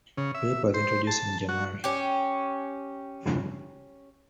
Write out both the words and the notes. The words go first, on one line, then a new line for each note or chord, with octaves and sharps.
Felipe was introduced in January.
C#3
E5
C5
A5
F#4
C#4 G4